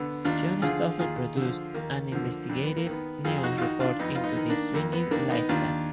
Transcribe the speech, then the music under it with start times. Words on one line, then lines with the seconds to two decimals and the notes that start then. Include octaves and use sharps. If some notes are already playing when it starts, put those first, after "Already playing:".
John Stossel produced an investigative news report into the swinging lifestyle.
Already playing: D3 B3
0.25 D#2 D4 F4
0.62 D3 F3 F4 G#4
0.99 D#2 F4 G#4
1.37 D3 F3
1.74 D#2 A#3
2.12 D3 F3
2.49 F2 D4
2.63 B3
2.77 A#3
2.86 D#3 B3
3.24 F2 F4 G#4
3.38 G#4
3.43 D#4 F#4
3.58 F4
3.62 D#3 D#4 F#4
3.80 D4 F4
3.99 F2 B3 D#4
4.15 F4
4.24 B3 D#4
4.37 D#3
4.49 A#3 D4
4.74 F2 A#3
4.93 B3
5.11 D#3 A#3 D4
5.30 B3 D#4
5.49 D#2 D4 F4